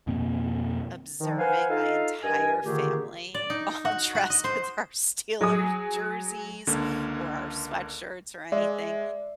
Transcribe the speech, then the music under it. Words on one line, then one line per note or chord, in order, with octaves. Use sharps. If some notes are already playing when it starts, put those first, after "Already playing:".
observing my entire family all dressed with our Steelers jerseys or our sweatshirts or anything
F2 B2 A#3 C4
D#3 F3
B4 C5 F5 F#5 G#5
D#4 F4 A4 D#5 F5
G2 A#4 D#5 G#5
A#2 D3 D#3 A3 G4 G#4
D5
D#4
F#4
F#4
D#5
C5
F#3 G#4 D#6
C#2 D3 A#3
G#3 D5 E5